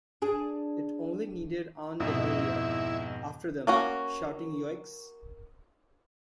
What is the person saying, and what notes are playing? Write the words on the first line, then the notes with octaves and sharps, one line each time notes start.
It only needed Aunt Dahlia after them, shouting "Yoicks!"
D4 G#4
F2 G#2 B2 E4
A#3 C#4 F#4